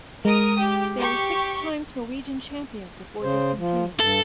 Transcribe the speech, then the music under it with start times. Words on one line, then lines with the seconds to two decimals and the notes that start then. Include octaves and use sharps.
They were six times Norwegian Champions before discontinuing.
0.25 G#3 A#4 D#6
0.58 G4
0.99 G4 C#6
3.23 C#3 C5
3.59 F3
4.00 G2 A4